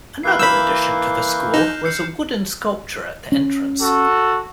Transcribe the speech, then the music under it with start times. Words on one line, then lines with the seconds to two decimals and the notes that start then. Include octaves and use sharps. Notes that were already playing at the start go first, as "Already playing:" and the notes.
Another addition to the school was a wooden sculpture at the entrance.
0.23 E3 A#3 E4 F6 F#6 C7
0.39 B5 E6 G6
1.54 D#4 E7
1.85 G6 C7 C#7
3.32 C#4
3.80 F#4 A4